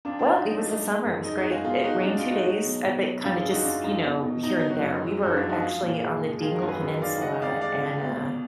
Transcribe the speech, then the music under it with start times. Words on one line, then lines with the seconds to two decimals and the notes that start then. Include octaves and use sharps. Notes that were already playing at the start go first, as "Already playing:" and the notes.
Well, it was a summer, it was great, it rained two days, a bit, kinda just you know, here and there, we were actually on the Dingle Peninsula and, uh
0.05 F2 D4 F4
0.19 D4 F4
0.25 F2
0.32 D#4
0.45 F#3 D#4
0.65 F#3
0.85 G#3
1.05 F#2
1.25 G#3 D#4
1.38 D#4 F#4
1.44 G#3
1.51 F4 G#4
1.64 B2 F4 G#4
1.84 G#3 D#4 F#4
2.04 G#3 D4 F4
2.17 D4 F4
2.24 G#3
2.31 D#4 F#4
2.44 F#3
2.64 B2
2.84 B2
3.03 F#3
3.24 F#2 D4 F4
3.37 F4 G#4
3.44 F#2
3.50 D#4 F#4
3.63 F#2 D4 F4
3.79 F4
3.83 F#2 D#4
4.03 B2
4.23 B2
4.43 B2 D#4
4.57 D#4
4.63 F#3
4.69 D#4 F#4
4.83 F#2
5.02 G#3
5.22 F#2 D#4 F#4
5.36 D4 F4
5.43 F3
5.49 D#4 F#4
5.62 G#3 F4 G#4
5.82 A#2
6.02 G#3
6.22 G#3
6.42 D#3 F4 G#4
6.55 F#4 A#4
6.62 F#2
6.68 G#4 B4
6.82 F#2
7.01 D#3 D5 F5
7.21 G#3 D#5 F#5
7.41 F2 D5 F5
7.61 G#3 D5 F5
7.81 F2
8.01 B2
8.21 B2